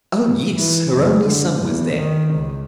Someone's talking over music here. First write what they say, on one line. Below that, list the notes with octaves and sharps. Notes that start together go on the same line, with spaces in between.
Oh! yes: her only son was there.
E3
F#1
D3
E2
D#3
C#2